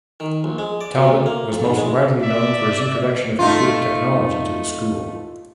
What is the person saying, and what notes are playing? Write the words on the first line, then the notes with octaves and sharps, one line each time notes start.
Talbot was most widely known for his introduction of computer technology to the school.
D#3
A#1
G#3
D5
B2
D2
A#3
F2
G#2
G#3
D5 E5
A3 D#4 F4